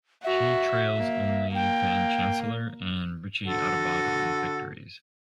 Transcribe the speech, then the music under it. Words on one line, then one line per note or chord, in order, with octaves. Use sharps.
She trails only Van Chancellor and Richie Adubato in victories.
F#4 E5
A#3
A#3 G5
D3 F#4 A4